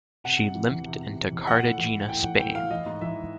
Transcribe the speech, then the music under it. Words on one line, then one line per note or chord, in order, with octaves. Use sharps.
She limped into Cartagena Spain.
C3 F#5
C3
E3
E2
C3
C3
C3
E2
A2 F#5
A2
E3
A2
A2 G5
E3 F#5
A2 G5
E3 F5
E3 D#5
G#2
E3 E5